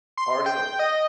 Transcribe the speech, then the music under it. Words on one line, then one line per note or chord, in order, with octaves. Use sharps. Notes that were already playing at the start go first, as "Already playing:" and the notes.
I already know it
C6
G5
D#5